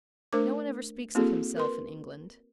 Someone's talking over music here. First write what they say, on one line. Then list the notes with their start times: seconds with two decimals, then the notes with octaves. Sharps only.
No one ever speaks of himself in England.
0.33 A3 D4 A#4 C5 D6
1.15 A#3 C4 E4 F#4 G#4 A4
1.56 A#4 B4 C6